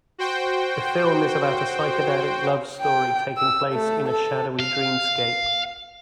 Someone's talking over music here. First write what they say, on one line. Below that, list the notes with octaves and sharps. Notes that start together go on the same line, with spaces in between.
The film is about a psychedelic love story taking place in a "shadowy dreamscape".
F#4 C5 G5
G5
E6
A3
A4
F5